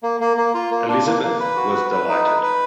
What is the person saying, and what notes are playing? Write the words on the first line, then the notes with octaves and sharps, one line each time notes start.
Elizabeth was delighted.
A#3
A#3
A#3
F4
A#3
D4
A#3
A#3
B4
F#4
B4
B4
D#4
B4
B4